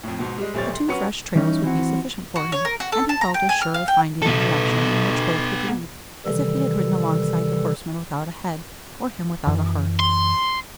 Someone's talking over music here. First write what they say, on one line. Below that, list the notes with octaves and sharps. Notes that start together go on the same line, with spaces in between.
The two fresh trails would be sufficient for him; and he felt as sure of finding the direction in which both would lead, as if he had ridden alongside the horseman without a head, or him without a heart.
F2 A2
G#2 B2
G3 G#3
D1 A#1 G3 C5 C#5 A6
C6
F#3 C#4 F#4 B4 C#6 C#7
E3 G3 C#4 D#4
E3 C4 F#4
F#4
C#5
A#4
F#4
A4
A5
A#5
G5
G#5
F6
F5
G5
B2 B3 A4
C3 D#3 E3 G3 A4
F#2 E3
C6